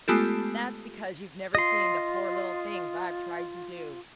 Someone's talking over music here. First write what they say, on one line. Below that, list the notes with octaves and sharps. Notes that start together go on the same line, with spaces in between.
"That's because you've never seen the poor little things I've tried to do."
G#3 A3 B3 F4 G4 A4
F4 D#5 C6